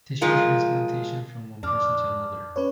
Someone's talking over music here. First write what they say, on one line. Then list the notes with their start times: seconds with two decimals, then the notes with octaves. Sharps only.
Tissue transplantation from one person to another.
0.21 F3 G#3 F4 A#4
1.63 F2 D4 F6
2.56 C#4 B4 C#5